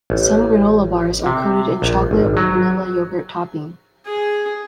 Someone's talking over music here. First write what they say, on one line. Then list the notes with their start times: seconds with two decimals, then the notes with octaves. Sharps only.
Some granola bars are coated in chocolate or vanilla yogurt topping.
0.10 A1
1.26 C3
1.82 A#1
2.11 G#1
2.37 F#3
4.06 G#4